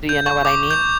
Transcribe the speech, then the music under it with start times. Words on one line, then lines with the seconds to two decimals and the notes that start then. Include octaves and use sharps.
Do you know what I mean?
0.09 G6
0.26 C#6
0.45 D6
0.71 G6